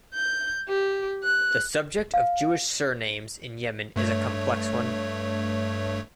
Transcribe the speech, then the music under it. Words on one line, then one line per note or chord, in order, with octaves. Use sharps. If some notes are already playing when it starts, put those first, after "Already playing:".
The subject of Jewish surnames in Yemen is a complex one.
G6
G4
F#6
F5
G2 A3 C#5